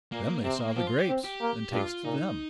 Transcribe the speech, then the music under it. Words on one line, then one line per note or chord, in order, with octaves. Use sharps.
Then they saw the grapes and tasted them.
A#2 A#3
C3 C4
A#3
F3 G4
F4
G4
C4
G4
A#3
G2 F4
A#2 D#4